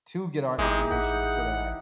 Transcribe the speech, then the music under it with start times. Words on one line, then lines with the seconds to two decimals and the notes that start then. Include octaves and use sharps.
to get our information, so, that
0.58 G#1 E3 G#3 D#4 G4 G#4
0.92 A1 F#5